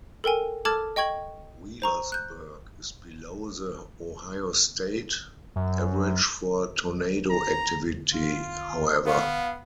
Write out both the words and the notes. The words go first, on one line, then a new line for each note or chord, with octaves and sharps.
Wheelersburg is below the Ohio state average for tornado activity, however.
A4 A#4 G5 G#5
A4 A5 D6 F6 G#6 A6
D#5 G5 C#6 G#6 F#7
C5 A#5 C#6
F#6 G6
F#2
A#5
F4
B3 F5